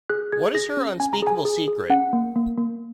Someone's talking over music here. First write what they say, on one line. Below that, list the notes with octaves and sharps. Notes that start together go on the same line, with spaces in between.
What is her unspeakable secret?
G#4 F#6
G#4 G#6
G#4 A#6
C#4
C#4 G#5
A#5
G#4 G#5
G#4
G#4
C#4 F#5
A#3
A#3
A#3